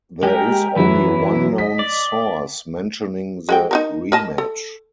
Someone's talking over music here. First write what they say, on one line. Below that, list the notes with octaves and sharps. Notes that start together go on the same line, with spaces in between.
There is only one known source mentioning the rematch.
G#3 G4 A#4
F#2 E3 F#3 E4
D#5 B6
D5
G#3 F#4 G5
D#4 F#4 A#4
A#4 D#5 A5
A4